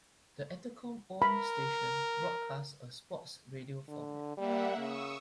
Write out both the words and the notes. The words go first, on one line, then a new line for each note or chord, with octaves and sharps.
The Entercom-owned station broadcasts a sports radio format.
A#4 B5
D3
G3 A#3 E5 F#5
C#3 C#6 D#6 E6